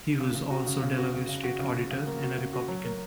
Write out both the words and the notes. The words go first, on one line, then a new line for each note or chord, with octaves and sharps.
He was also Delaware state auditor and a Republican.
C#3
C#3
F#4
C#3
C#3
F#4
C#3
C#3
F#4
C#3
C#3
C#3
A#3
F#4
C#3
F#4
F#3
A#4